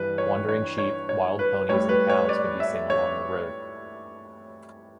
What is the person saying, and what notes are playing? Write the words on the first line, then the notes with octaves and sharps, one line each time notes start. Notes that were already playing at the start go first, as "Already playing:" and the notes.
Wandering sheep, wild ponies and cows can be seen along the road.
Already playing: G2 E3 G3 B4
C#5
C#5
C#5
C#5
B4
A2 G3 C#5
B4
C#5
D5
E5
C#5